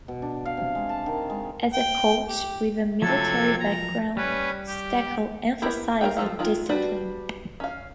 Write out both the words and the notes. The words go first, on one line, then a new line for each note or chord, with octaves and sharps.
As a coach with a military background, Steckel emphasized discipline.
B2
D4
F5
C3
G#3
A5
D#3
G#3
G5
G4
C3 F3 F#3 A4 G#6
A#5
G3 C#4 B4
G4
B3 E4 G4 A#4
A#4 C#5 F5 G5
F3 F#4 A4 F5
D#3 G#3 F4
G3 D4 F#4 B4 D5
C#4 F5